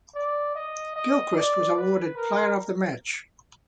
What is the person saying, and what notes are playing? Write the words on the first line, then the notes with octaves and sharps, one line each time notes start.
Gilchrist was awarded player of the match.
D5
D#5
D#5
D5
B4
A#4